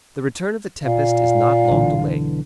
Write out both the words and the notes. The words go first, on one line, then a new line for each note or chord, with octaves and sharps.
The return of the tempest is not long delayed.
A#2 F5
B1 D3 E3